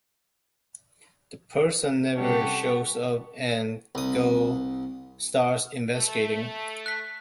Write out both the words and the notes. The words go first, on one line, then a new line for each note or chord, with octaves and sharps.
The person never shows up and Gold starts investigating.
C3 G3 C#4 G4 A4 F#5 C#6
C2 D#6
A3
F#6 B6